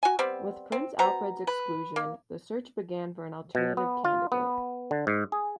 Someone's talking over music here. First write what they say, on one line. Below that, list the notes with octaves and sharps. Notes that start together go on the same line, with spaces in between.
With Prince Alfred's exclusion, the search began for an alternative candidate.
F#4 G#5
G3 B3 C4
C4
B3 F#4 C5 A#5
B4
A#3
B2
B3
F4
B3
D3
G#2
G#4